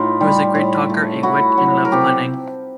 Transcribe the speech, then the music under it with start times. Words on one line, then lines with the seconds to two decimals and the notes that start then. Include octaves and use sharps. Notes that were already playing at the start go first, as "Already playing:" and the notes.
He was a great talker, a wit, and loved punning.
Already playing: A2 D#4 F4
0.20 G3
0.55 A2
0.90 A3
1.23 A2 E4 F#4
1.57 F#3
1.85 A#4
1.92 C3 G4 A4